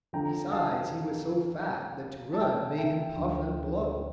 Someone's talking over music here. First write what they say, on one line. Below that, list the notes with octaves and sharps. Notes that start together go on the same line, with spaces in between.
Besides he was so fat that to run made him puff and blow.
F2 D3 F3 G5 A#5
F5 A5
A5
E5 G5
E5 G5
D2 D3 F3